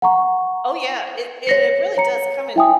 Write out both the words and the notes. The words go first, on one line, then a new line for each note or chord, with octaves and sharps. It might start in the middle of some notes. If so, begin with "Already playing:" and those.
Oh yeah, it it it really does come in,
F#5 A#5 C#6
C#5 A#6 C#7
C#5 A#5 C#7
E4 E5 G5 G#5 D#6